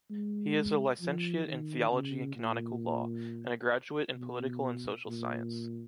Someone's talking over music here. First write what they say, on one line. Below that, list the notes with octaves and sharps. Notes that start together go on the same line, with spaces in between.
He is a licentiate in Theology and Canonical Law, and a graduate in Political and Social Science.
G#3
F3
D#3
C#3
A#2
B2
A#2